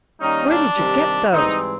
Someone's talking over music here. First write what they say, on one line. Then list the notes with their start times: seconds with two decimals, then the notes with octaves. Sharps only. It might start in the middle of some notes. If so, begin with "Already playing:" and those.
Where did you get those?
0.20 D#3 G3 A#3 C#4 D#4
0.48 D4
0.76 C3 D#3 G3
1.32 G#2 E3 G3 C4 D#4